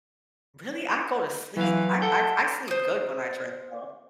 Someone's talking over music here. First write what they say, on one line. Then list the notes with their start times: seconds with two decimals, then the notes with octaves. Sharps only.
Really? I go to sleep. I I I sleep good when I drink, though.
1.57 E3 F#3 F5
2.02 A4 F#5 G5
2.68 C5 D#6